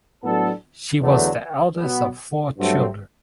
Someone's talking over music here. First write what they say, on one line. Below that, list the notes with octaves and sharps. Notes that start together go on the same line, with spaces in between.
She was the eldest of four children.
A2 F#3 B3 D4 A4
E2 D3 F#3 A3
B2 F#3 B3
G2 F#3 A3 C4